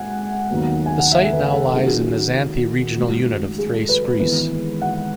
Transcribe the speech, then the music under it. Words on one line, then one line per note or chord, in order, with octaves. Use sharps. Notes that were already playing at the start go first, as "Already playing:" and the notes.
The site now lies in the Xanthi regional unit of Thrace, Greece.
Already playing: G#2 F#5 G#5
D#2 D#3 F#3 B3
G#5
F#5
E5
A4
B4
A4
D#2 D#3 F#3 C#4 G#4
F#4
G#4
G#1 F#2 D#3 A3 F#4
G#4
A4
B4
B4
G#1 G#2 E3 B3 B4
F#5